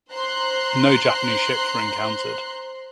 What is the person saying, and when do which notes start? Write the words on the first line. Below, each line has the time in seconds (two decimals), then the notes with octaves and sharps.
No Japanese ships were encountered.
0.12 C5 A#5 C6 F#6